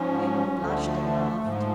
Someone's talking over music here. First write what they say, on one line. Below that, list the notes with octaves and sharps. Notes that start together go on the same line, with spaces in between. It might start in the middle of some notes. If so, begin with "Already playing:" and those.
Edwin blushed and laughed.
Already playing: G#2 F3 C#4
D2 D3 F3 A3
G#2 F3